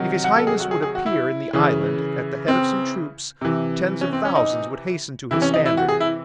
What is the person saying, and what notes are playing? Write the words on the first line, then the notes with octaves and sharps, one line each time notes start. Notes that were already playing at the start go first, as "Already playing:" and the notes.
If his Highness would appear in the island at the head of some troops, tens of thousands would hasten to his standard.
Already playing: C3 D#3 F#3
F#5
A4
G#4
F#4
G#4
G#4
F#4
E4
C#3 E3
C4
C3 E3
C#4
C4
C#4
D#4
C3 E3 E4
C#4
D#4
E4
F#4
G#4
E4